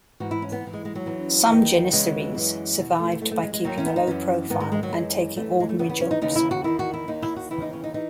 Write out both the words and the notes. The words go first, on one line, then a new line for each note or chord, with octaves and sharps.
Some Janissaries survived by keeping a low profile and taking ordinary jobs.
G#2 E3 F#4
E4
C#4
B3
G#2 E3
G#3
G#3
F#3
E2 C#3 E3
E2 D#3
E2 C#3 E3 G#3
F#2 E3
E2 B2
A3
F#2 E3 A3
A3
G#3
G#3
D#2 D#3 F#3
C#4
B3
D#4
F#2 E3 C#4
G#2 D#3 B3
G#3
G#3
F#3
F#2 E3 G#3
F#2 E3 A3
G#3
A3
E2 C#3 E3 B3
B3
C#4
D#4
D#2 C#3 E3 D#4
E4
F#4
E2 D#3 E4
F#4
E4
D#2 D#3 D#4
E4
F#4
D#2 C#3 E3 E4
D#4
C#4
D#4
E3 D#4